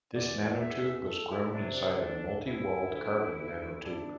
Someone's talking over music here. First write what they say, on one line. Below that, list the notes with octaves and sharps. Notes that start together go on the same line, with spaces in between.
This nanotube was grown inside a multi-walled carbon nanotube.
E2 D5
E2 E5
A4
E4
C3 D4
D4
D2 D4
D2 E4
D2
D2
D4